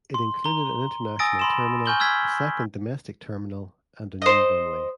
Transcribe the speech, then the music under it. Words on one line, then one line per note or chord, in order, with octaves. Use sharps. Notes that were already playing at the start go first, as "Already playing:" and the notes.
It included an International Terminal, a second Domestic Terminal, and a new runway.
C6
A#5 G7
G#5 D#6 E6 A6 A#6 D7
B5 C6 E7
G#5 C#6 F6 G6 F#7 G7
E6 F6 G#6 B6
C5 D#5